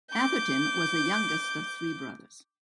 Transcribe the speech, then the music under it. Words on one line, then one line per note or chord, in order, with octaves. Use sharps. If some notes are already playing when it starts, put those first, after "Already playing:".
Atherton was the youngest of three brothers.
D6 G6